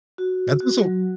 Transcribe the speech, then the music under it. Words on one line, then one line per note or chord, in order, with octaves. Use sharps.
That's also
F#4
F#4
F#3